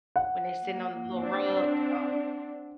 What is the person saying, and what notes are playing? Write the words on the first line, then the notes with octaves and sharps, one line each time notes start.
when they sitting on the little rug, um
F#5
A#3
C4 D4